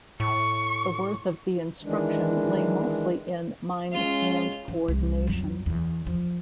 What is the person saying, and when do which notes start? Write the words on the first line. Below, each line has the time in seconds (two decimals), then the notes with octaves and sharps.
The worth of the instruction lay mostly in mind-hand coordination.
0.20 A2 C#6
1.83 D#3 E3 G#3 D4
3.92 G#3 C#4 F4
4.68 E3
4.88 C2
5.27 F2 F#3
5.66 E2 E3
6.07 F3